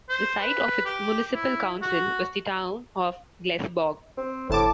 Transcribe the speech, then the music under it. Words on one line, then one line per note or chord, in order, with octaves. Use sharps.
The site of its municipal-council was the town of Glesborg.
C5
B4
G4
E4
F#4
C4
G1 A2 A5 D6